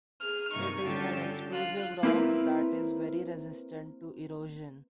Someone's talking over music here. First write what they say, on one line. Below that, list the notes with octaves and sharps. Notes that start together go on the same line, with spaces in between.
It is an extrusive rock that is very resistant to erosion.
G#4 F6
G2 C3 A#3 D#4 C#6
D3 G3 C#4 F4 G4 A4
F4 F#6
A#3 C4 E4 A#4 B4